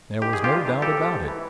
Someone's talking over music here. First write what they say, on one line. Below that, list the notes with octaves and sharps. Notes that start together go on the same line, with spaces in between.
There was no doubt about it.
G#2 G4
D#3 G#4
F4 G4
G2
E3
A#2 G4 A4
F3
G#2
E3